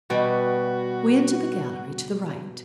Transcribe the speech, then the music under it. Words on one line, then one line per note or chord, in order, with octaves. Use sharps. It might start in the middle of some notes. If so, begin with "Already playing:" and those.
We entered the gallery to the right.
B2 G3 F#4